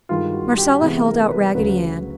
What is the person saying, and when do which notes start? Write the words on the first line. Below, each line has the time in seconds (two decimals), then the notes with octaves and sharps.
Marcella held out Raggedy Ann.
0.09 G2 D#3 G#3 F4
0.33 F#4
0.58 G4
0.81 C3 E3 G#3 B3 G#4
1.06 A#4
1.31 B4
1.55 D2 C#3 F#3 B4